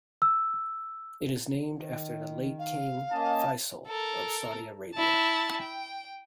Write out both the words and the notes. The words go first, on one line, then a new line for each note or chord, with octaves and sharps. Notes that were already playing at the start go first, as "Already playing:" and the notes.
It is named after the late King Faisal of Saudi Arabia.
E6
D#3
F5
A#3 C#4 D#5 A5
A4 A#4
E4 A5
G5